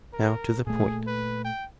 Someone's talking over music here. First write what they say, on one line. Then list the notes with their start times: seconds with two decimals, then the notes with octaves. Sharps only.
Now, to the point.
0.13 A#4
0.67 A#2 A3 G#4
1.07 B4
1.45 G5